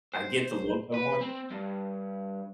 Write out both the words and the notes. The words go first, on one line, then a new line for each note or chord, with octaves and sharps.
I get the look I want.
C5
B4
C4
G2